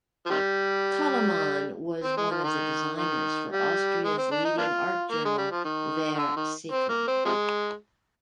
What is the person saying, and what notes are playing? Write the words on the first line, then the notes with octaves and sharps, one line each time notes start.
Koloman was one of the designers for Austria's leading art journal "Ver Sacrum".
F3
C3 D#3 G3
C4
G#3
F3
D#3
D#3
G3
G#3
C4
D4
D#4
A#3 D4 F4
A#3
G#3
G3
F3
D#3
D#3
D3
D#3
C4
A#3
C4
C3 F3 G#3